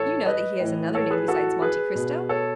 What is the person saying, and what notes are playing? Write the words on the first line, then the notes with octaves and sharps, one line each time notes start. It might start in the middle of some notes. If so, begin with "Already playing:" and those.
"You know that he has another name besides Monte Cristo?"
Already playing: A2 E3 A4 C#5
B4 D#5
A2 E3
A4 C#5
G#4 B4
F#4 A4
G#4 B4
B2
A4 C#5